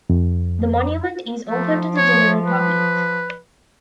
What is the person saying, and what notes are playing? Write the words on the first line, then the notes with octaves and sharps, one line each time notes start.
The monument is open to the general public.
F2
F3 A3
C#5
B4